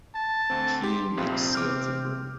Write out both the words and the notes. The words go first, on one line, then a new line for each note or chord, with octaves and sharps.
"Keying" next sailed to Britain.
A5
D2 C4
G4 C6
A#1 F2 C3 C4 F4
D6 F6 G6